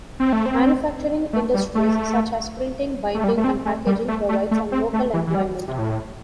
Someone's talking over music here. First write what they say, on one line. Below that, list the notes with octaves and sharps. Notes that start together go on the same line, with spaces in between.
Manufacturing industries such as printing, binding and packaging provide some local employment.
C4
A3
C4
A3
G3
A3
A3
G3
A3
C4
A3
G3
A3
A3
A3
C4
A3
E3
E3
G3
C3
A2